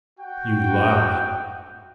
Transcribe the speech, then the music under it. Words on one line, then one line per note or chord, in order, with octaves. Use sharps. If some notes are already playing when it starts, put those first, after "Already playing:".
"You lie!"
F#4 G5